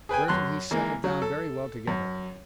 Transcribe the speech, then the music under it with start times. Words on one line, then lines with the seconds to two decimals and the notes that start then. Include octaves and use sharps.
Bert and he settled down very well together.
0.09 G#4 B4 G5 G#5
0.28 F#2 C6 F#6
0.71 E3 G#3 A#3
1.04 F#3
1.22 A4
1.88 F#2